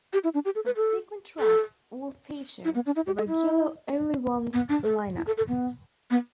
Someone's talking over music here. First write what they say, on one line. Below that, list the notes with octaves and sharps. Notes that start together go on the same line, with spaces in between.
Subsequent tracks all feature the regular Only Ones line-up.
G4
E4
D4
G4
A4
B4
A4
A4
E4
B3
D4
E4
G4
A4
E4
B3
D4
A4
E4
A4
A4
B3
B3